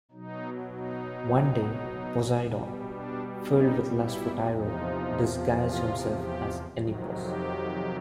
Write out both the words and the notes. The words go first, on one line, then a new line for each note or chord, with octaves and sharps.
One day, Poseidon, filled with lust for Tyro, disguised himself as Enipeus.
B2 F#3 D#4
D#4
B2 G3
D4
D#4
E4
E2 C3 F3 D#4
F4
G4
F2 C3 D#3 F#3
G4